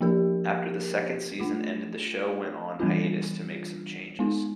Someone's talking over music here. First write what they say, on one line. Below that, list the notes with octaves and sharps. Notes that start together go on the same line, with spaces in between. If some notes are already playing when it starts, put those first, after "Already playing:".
After the second season ended the show went on hiatus to make some changes.
F3 A#3 D4 G4 A#4
A3 D4 F4
E3 G3 B3 D4 F4
G#3 B3 D#4